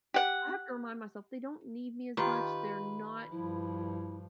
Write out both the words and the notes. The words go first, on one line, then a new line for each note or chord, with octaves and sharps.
I have to remind myself they don't need me as much, they're not
G4 F#5
D#3 F4 G4 B4
G2 F3 E4